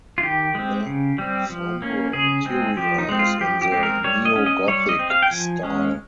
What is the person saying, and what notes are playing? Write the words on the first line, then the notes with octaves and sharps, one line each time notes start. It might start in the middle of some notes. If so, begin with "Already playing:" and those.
The sombre interior is in the Neo-Gothic style.
F4
D#3 G4
G#3 C4
C#3
G3 C4
F3
A#3 C#4
C#3 G#4
G#3 C4
F3 G4
D#4
G#3 C4
F4
F3 G4
G4
G#3 C4
A#4
G3 C#5
D#5
C#4
D#5
G3 C#5
D#5
C4
F5
G5
F3 G#5
G#3 C#4